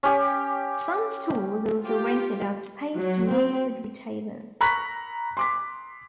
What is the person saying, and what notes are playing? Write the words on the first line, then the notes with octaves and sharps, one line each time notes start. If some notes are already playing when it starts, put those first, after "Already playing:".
Some stores also rented out space to non food retailers.
C#4 G4
F4 G4
F#3
C4
A#5 B5 C#6 F#6 B6
C6 D6 B6